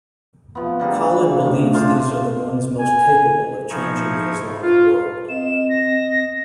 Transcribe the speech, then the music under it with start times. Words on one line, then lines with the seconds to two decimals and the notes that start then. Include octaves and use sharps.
Khaled believes these are the ones most capable of changing the Islamic world.
0.55 C3 F3 B3
0.80 D3 G3 A#3 G#4
1.45 A2
1.73 D4 F4 G#4 C5
2.80 G#5
3.70 F3 D#4 E4 C#6 G#6
4.62 F4
5.29 C4 D#5 E7
5.69 A#6